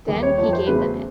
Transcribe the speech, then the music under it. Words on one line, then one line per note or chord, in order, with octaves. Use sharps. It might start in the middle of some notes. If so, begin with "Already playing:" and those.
Then he gave them it.
D#2 D#3 G3
C#5
F2 C3 F3 C#5
C5
E2 C#3 F#3 A3 B4
C5